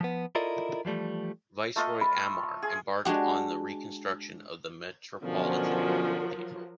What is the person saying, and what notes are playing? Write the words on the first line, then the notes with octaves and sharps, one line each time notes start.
Viceroy Amar embarked on the reconstruction of the Metropolitan Cathedral.
F3 B3
E4 F4 A4 A#4 D5 D#5
E3 F3 G3 A3
A3 F4 D#5
B5
G#4
G#3 D4 F#4 G4
B2 D3 F3 F#3 C#4 A#4